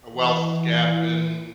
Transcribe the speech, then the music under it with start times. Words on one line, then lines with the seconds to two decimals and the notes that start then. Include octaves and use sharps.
a wealth gap in
0.11 E3